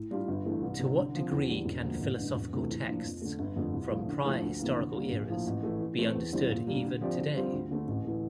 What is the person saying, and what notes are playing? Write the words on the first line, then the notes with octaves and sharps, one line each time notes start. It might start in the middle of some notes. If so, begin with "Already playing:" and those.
To what degree can philosophical texts from prior historical eras be understood even today?
Already playing: A2
G3 D4 F4
G1
G2 E3 A3 E4
C2
C3 G3
D3
F3 C4
E2
D3 G3
E1
D2 D3 F3 A#3
A1
G2 D3
E1
D2 C3 E3 A3
A2
F3 A#3 D4 F4
F2
D3 A3
G1
F2 D3 A3
C2
A#2 F3 A3 E4
D3
F3 A3 E4 A4
D2
C3 E3 A#3
D3
G3 A#3
A#1
A2 F3 A#3
A1
A2 E3 A3 E4
A2
E3 A3 C4
E2
D3 G3 C4 E4
A#2
G3 A#3 D4
D3
F3 C4 G4 D5
D3
G3 C4 F4
D2
D3 A3
A1
E3 A3